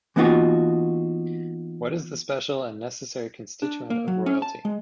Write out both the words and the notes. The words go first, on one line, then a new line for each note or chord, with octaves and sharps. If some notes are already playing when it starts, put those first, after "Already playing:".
What is the special and necessary constituent of royalty?
E3 A#3 B3 D#4 F4 F#4
D4
A#3
F#3
C#4
A5
G#3